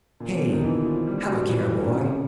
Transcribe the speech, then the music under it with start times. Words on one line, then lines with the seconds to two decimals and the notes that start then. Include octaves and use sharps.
Hey! Have a care, boy.
0.20 A#2
0.32 B2
0.43 D3
0.52 D#3
0.64 E3
0.85 F3
1.07 G3
1.18 G3
1.29 F#3
1.39 F3
1.50 E3
1.72 D3
1.94 C3
2.04 C#3